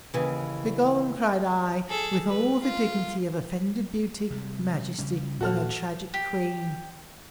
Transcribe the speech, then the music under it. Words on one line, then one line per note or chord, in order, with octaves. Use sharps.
Begone! cried I, with all the dignity of offended beauty, majesty, and a tragic queen.
D#2 C#3 E3
G#4 A4
B4
F4
C3 G3
C#3 G3 C#4
D#1 A#2 F#4 A4 F6
G4